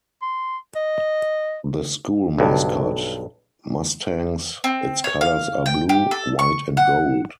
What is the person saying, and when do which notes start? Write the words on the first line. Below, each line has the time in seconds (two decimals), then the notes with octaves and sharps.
The school mascot: Mustangs; its colors are blue, white and gold.
0.22 C6
0.76 D#5
2.38 B1 G2
4.64 C4
5.04 C#5
5.21 F5
5.66 G5
5.89 G4
6.11 A4
6.39 C#6
6.77 F#5